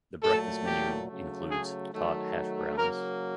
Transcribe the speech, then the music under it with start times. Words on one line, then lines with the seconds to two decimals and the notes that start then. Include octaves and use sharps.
The breakfast menu includes tot hash browns.
0.23 A#2 F#3 A3 A4
0.65 G4
1.07 C#3 F#3 A3
1.50 G#4
1.93 D#3 F#3 A3
2.76 C#3 F#3 A#3 A#4